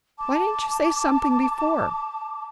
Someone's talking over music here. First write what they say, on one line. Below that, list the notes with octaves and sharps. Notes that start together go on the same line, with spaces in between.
Why didn't you say something before?
A5 D6